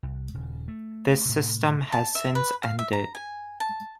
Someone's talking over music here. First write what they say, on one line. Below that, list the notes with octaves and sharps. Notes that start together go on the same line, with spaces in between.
This system has since ended.
C2
D#1 C#3
A3
A2 C3
A5
E5
B4
F5
E5
A#5
G#5
A5